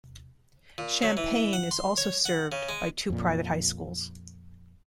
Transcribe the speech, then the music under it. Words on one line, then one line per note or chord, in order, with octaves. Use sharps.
Champaign is also served by two private high schools.
A#2
F#3
E3
F#5
C6
C#5
F#5
C#3
G#3
F2 A#2